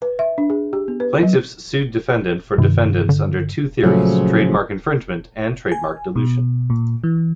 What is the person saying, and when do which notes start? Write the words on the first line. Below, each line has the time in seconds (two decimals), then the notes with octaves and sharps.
Plaintiff's sued Defendant for Defendant's under two theories: trademark infringement and trademark dilution.
0.02 B4
0.19 E5
0.38 D4
0.50 G#4
0.73 G4
0.88 B3
1.00 B4
1.23 F#3
2.58 G2 C3 D#3
3.09 D3
3.83 A#2 C#3 F3 F#3 A3
5.72 G#5
6.16 B2
6.70 A#2
7.04 E3